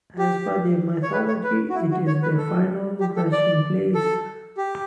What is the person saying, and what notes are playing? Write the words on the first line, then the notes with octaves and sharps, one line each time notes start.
As per their mythology it is their final resting place.
G4
C#5
B4
C#5
B4
F#4
E4
F#4
C#5
B4
A4
G4
A4
D5
A4
G4